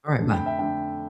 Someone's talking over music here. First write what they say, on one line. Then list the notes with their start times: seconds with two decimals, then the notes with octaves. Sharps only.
Alright, bye.
0.20 F2 D3 A3 D4
0.33 G5 B5
0.46 E5 G5
0.59 D3 A3 D4 E5 G5